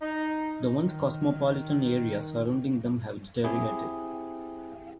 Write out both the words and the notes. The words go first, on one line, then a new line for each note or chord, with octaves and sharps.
The once cosmopolitan areas surrounding them have deteriorated.
D#4
D#3
C4 E4 G4 G#4